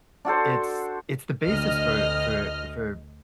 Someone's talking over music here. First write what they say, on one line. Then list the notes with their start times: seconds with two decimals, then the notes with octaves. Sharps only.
it's it's the basis for for for
0.25 D4 F#4 A4 C5
1.47 D2 D#5 F6